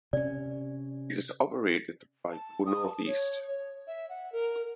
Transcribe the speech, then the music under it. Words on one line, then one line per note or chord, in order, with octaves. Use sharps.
It is operated by Go North East.
C3 C#4 D5
A5
D#6
A5
C#5
C#5
E5
F#5
A#4